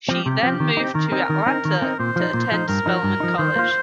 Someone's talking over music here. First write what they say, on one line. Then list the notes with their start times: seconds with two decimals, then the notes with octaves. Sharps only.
She then moved to Atlanta to attend Spelman College.
0.08 F3 C4 G4
0.25 C3 G4
0.43 F3 C4
0.60 D#3
0.77 C4 D#4
0.94 D#3 A#4
1.12 C4 D#4
1.29 D#3
1.46 C4 D#4
1.65 D#3
1.82 C4 D#4
1.99 A#2 C5
2.16 F3 D#4
2.34 A#2
2.52 F3 D#4
2.68 G2 A#4
2.86 F3 D#4
3.03 G2
3.20 F3 D#4
3.38 D#3 C5
3.56 A#3 F4